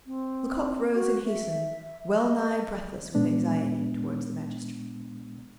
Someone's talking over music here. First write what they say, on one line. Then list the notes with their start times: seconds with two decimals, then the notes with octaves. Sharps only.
Lecoq rose and hastened, well-nigh breathless with anxiety, toward the magistrate.
0.07 C4
0.94 F#4
1.26 E5
2.10 D#5
3.15 A#2 G#3 B3 D4